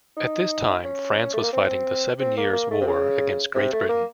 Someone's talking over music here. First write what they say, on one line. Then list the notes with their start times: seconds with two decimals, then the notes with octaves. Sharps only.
At this time France was fighting the Seven Years' War against Great Britain.
0.17 D#4
0.84 C#4
1.34 A3
1.43 A#3
1.53 C4
2.20 C4
2.37 A#3
2.53 A#3
2.71 A3
2.81 C3
2.87 C#3
3.55 C3
3.73 A3
3.89 A#3